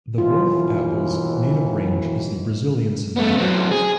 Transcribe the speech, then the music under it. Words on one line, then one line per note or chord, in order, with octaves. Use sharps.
The wolf apple's native range is the Brazilian savannah.
D#2 B2 E3 F4
A3 B3
F#3 C4
G#4